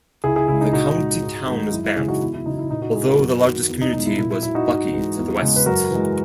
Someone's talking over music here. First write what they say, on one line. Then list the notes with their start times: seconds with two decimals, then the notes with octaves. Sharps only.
The county town was Banff although the largest community was Buckie to the west.
0.24 C#2 E4 G#4
0.36 E4 G#4
0.48 C#3 G#3 E4
0.61 D#4
0.73 A#2 D#4 F#4
0.98 G#3
1.22 G#2
1.46 D#3 G#3
1.72 F#2 E4
1.84 E4
1.96 C#3 E3 G#3 E4 G#4
2.08 D#4 F#4
2.21 E2 E4
2.34 E4
2.45 C#3 F#3 D#4
2.58 E4
2.70 A#2 D#4
2.82 D#4 F#4
2.95 G#3 E4 G#4
3.07 F#4 A#4
3.20 F#2
3.44 D#3 F#3
3.68 E2
3.81 D#4
3.93 B2 G#3 D#4
4.06 E4
4.18 A#2 E4
4.31 E4
4.43 F#3 E4
4.55 D#4 F#4
4.68 G#2
4.93 E3 G#3
5.17 E2
5.41 C#3 G#3
5.56 B4
5.66 F#2 F#4 A#4
5.91 E3 G#3